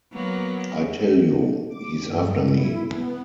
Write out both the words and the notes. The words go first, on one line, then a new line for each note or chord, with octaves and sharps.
I tell you he's after me.
F#3 A#3 B3
D6
G2
E4
B3